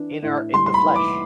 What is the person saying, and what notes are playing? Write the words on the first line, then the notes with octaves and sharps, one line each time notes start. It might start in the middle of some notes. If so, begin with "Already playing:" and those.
in our in the flesh?
Already playing: E3 D4
A2
G3 C6
C6
B5
E3
D6